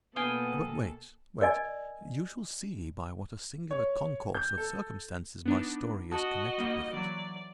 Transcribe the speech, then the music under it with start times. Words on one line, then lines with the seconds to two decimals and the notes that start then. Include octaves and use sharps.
But wait, wait--you shall see by what a singular concourse of circumstances my story is connected with it.
0.16 B2 A#3 B3 A4 F5 G5 G#5 D#6
1.41 A#4 D5 D#5 G#5
3.71 C#5
4.35 G6
4.58 A4
5.46 B3 D4 D#4
6.12 F#4 D#5 A5 D#6 F#6
6.58 G3 A#3 D#4
6.93 E3 F#3 D5